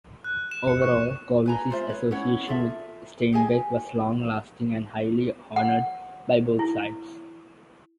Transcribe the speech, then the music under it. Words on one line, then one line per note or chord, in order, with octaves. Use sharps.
Overall, Covici's association with Steinbeck was long-lasting and highly honored by both sides.
F#6
E7
C#7
C#6
B4 G#5 A#5
F4 C5 E5
B4 C#5
C#4 E4 C#5 F#5
F4 G#4 A4 E5
G4 G#4 D#5 G#5
F#5
E4